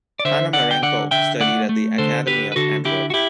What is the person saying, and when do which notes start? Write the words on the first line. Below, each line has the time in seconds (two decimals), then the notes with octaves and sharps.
Panamarenko studied at the academy of Antwerp.
0.19 D5
0.25 D3 C5 E5
0.53 D3 D5 F#5
0.71 G5
0.82 D3 D5 F#5
1.11 D3 E5 G5
1.40 A3 D5 F#5
1.69 A3
1.98 D3 A4 C5
2.27 D3 G4 B4
2.52 B4
2.56 D3 F#4 A4
2.85 D3 E4 G4
3.10 F#4
3.14 E4 G4